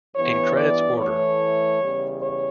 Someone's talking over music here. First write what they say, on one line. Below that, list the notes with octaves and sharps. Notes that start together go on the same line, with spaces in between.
In credits order.
G2 E3 B3 C#5
D5
A2 E3 A3 C#5
E2 C#3 G3
C#5